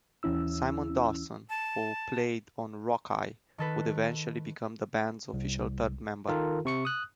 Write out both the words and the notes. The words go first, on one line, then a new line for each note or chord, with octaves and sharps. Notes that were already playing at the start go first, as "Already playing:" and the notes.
Simon Dawson, who played on "Rockeye", would eventually become the band's official third member.
D#2 E3 C#4 E4 E6
A5
D#3 A4 B4
C2
D#3 F4 A4 A#4
C3 C#6 C#7
D#6 F#6